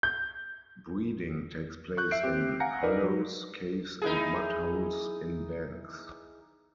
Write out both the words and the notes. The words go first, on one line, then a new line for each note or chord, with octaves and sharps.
Breeding takes place in hollows, caves and mud holes in banks.
G6
C#6 F#6 G6
E5 C7 D7
C4 G4
F5 F#5 G#5 A#5 A#6 C#7
D#4 A#4 B4 D5
F#3
D#4 E4 G#4